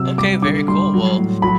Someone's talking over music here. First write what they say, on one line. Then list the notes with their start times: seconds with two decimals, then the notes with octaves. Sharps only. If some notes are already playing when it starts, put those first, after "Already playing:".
Okay, very cool. Well,
Already playing: C3 F#3 E6
0.18 G3 D6
0.42 D3 D6
0.68 G3 C6
0.94 F#3
1.18 A2
1.42 F#3 B5